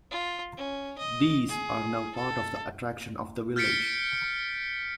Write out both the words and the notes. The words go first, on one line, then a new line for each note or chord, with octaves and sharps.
These are now part of the attraction of the village.
F4
C#4
D#5
G#4
A4
F6 G6 A6 B6 C#7 D7